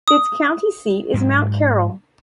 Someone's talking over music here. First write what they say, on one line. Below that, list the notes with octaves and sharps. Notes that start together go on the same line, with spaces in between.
Its county seat is Mount Carroll.
D#6
G#2 F#3